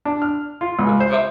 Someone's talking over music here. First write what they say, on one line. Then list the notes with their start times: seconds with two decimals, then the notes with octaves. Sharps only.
wi pro
0.05 D4
0.22 F6
0.61 F4
0.79 C#2
1.00 C5